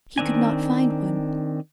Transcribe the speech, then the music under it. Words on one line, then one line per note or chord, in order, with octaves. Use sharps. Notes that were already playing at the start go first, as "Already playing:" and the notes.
He could not find one.
D#3 C4 D4 G#5